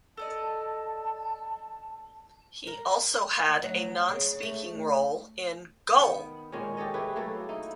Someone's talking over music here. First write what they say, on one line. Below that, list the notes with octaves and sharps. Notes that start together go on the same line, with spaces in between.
He also had a non-speaking role in Goal!
A4 D5 D#5 A5
A#4
D2
F#3
C#3
A3
D#3 B3
A#2 D#3 G#3 C#4
G4 A4 C#5 D#5
E4 G4 G#4 B4
F#3 A3 A#3 E4
D#4 E4